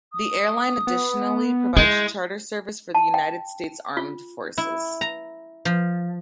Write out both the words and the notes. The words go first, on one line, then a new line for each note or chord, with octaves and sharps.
The airline additionally provides charter service for the United States Armed Forces.
D#6
B3
G#3 E4 G6
A5
G5
F4
E4
A#5
F3